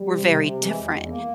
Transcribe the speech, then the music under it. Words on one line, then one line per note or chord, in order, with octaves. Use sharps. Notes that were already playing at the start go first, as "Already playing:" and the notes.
we're very different.
Already playing: G3
C3
C3
C3
E3 G#3
E2
E2
A#3